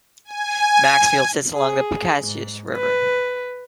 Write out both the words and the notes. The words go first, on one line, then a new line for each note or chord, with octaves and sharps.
Maxfield sits along the Piscataquis River.
G#5
G#4
G#2
B4